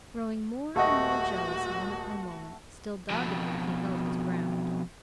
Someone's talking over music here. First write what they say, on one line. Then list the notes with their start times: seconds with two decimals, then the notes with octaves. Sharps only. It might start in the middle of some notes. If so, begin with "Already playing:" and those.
Growing more and more jealous moment by moment, still doggedly he held his ground.
0.76 D#1 A3 F#4 D#5 F#5 G5
3.10 F2 B2